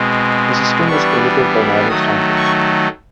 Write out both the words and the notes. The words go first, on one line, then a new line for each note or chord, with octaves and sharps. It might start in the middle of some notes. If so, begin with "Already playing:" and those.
The system was primitive by modern standards.
Already playing: B2 G#3 C4
E3 G3 B3 D4 C#6
D#3 F#3 A3 D#6
C#6